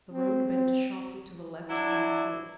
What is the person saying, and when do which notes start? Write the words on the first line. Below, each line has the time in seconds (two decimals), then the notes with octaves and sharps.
The road bent sharply to the left then forked.
0.12 C4
0.50 C4
1.69 F#3 D4 E4